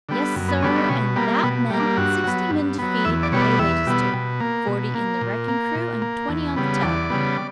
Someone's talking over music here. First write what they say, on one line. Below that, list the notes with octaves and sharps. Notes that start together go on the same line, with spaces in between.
Yes, sir, and that meant sixty men to feed and pay wages to--forty in the wrecking-crew and twenty on the tug.
D3 G3 B3
F#2
B3
D3 G3 B3 C#4
C#4
B2 C#4
G3 A#3 B3
B2 B3
G3 A#3
D4
G2 F#4
F#3 B3
G2
F#3 B3
E2 E5
D5
B2 G3 B3 C#5
D5
E2 E5
B2 G3 B3
B2
A#3
B2
A#3
A#2
A#3
A#2
A#3
E2
C#3 G3 B3
E2 D5
C#3 G3 B3